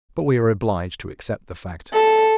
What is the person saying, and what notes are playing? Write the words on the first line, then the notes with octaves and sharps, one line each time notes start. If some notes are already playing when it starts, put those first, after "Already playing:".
But we are obliged to accept the fact.
A4